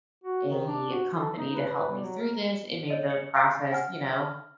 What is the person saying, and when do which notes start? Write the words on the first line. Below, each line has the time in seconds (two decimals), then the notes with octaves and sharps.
a company to help me through this, it made the process, you know,
0.24 F#4
0.49 D#3
0.67 D4
0.91 F#4
1.15 A4
1.37 D#4
1.55 B4
1.72 B4
1.88 G3
2.02 F#3
2.18 A#4
2.88 C#5 D#5 D#7
3.10 C#7
3.34 F5 C#6 G6 A6 C7 D7
3.71 F#5 G#5 F6
4.16 F6